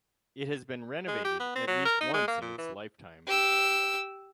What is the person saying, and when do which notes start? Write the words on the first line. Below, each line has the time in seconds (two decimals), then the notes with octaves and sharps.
It has been renovated at least once in its lifetime.
1.08 G#3
1.25 G4
1.40 B3
1.56 C4
1.68 F#3
1.86 A#4
2.01 D#4
2.14 G#3
2.28 A#3
2.42 A#2
2.58 E3
3.27 G4 E6